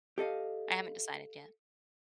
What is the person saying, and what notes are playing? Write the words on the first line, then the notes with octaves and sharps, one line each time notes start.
I haven't decided yet.
G4 A4 D#5 F5